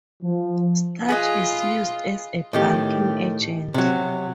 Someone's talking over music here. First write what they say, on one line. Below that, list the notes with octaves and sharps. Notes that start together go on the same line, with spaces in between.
Starch is used as a bulking agent.
F3
F4 G#4 B4 D#5
A2 D#3 G4
C3 F#3